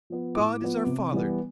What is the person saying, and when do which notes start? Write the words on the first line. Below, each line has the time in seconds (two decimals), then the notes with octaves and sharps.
God is our Father.
0.10 F3 B3
0.35 A2 D6
0.61 F3 B3
0.86 C3
1.12 E3 G3 B3